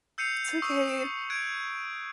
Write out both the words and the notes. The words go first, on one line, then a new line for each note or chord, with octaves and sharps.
It's okay.
E6 G6 C7 C#7 D#7 F7
C#6 D#6 E6
F#6 G#6 D7